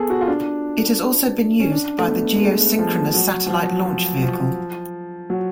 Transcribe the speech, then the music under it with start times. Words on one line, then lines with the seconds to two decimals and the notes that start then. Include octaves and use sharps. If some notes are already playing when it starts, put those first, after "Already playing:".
It has also been used by the Geosynchronous Satellite Launch Vehicle.
Already playing: B3 G#4 A4
0.10 F#4
0.21 F4
0.28 D4
1.60 C#4
1.71 D4
1.99 A3
2.07 B3
2.36 G#3
2.43 A3
2.79 F3
3.14 F#3
3.47 F3
3.50 F#3
3.86 F3
4.23 F3
5.30 F#3